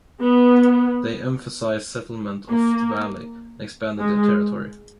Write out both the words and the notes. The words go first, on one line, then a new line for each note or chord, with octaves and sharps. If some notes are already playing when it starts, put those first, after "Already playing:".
They emphasized settlement of the valley, and expanded their territory.
B3
A#3
G#3